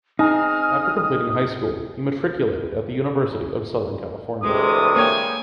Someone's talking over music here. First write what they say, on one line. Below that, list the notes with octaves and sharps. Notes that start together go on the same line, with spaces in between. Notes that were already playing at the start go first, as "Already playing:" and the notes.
After completing high school he matriculated at the University of Southern California.
C4 D#4 G#4 D#6 F6
D2 C3 E3 G#3 D#6
A#3 C#5 G5 G#5